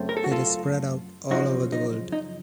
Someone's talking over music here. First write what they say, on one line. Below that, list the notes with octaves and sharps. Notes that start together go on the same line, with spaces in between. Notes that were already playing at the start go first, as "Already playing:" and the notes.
It is spread out all over the world.
Already playing: F#2 C#3 A3 C4
A#4
A4
F#4
F4 A4
F#2 C#3 F3 D#4 F#4
D#4
D#4